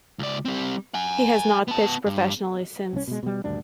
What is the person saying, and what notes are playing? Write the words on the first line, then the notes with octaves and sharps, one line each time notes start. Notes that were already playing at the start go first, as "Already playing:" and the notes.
He has not pitched professionally since.
C#2 D5
G3 C4
F#5 G#5
B3 A5
G2
C2 C#4
B2 G#3
B2 G3
D#1 D2 G2 D4